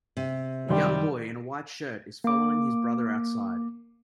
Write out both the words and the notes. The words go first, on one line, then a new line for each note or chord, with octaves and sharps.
A young boy in a white shirt is following his brother outside.
C3
F#2 D#3 G3 C6
A#3 D6